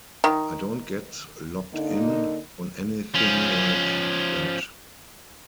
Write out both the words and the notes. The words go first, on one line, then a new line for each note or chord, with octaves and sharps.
I don't get locked in on anything like that.
D#3
D3 A#3 D#4
F3 C#4